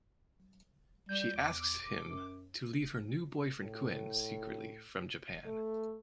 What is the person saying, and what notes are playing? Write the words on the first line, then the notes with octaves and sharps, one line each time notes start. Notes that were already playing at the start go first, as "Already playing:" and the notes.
She asks him to leave her new boyfriend Kuen secretly from Japan.
G3 G6
E2 D6
F#2
A2
A3